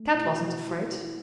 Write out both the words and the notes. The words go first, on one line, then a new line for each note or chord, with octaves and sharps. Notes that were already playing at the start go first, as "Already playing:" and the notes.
Kat wasn't afraid.
Already playing: A3
B2 E4
F#4
B2 E4
F#4
E4
G#3
F#4
E4
G#3 F#4
E4